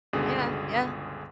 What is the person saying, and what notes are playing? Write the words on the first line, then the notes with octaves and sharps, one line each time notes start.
Yeah, yeah.
G1 C#2 B2 D3 G#4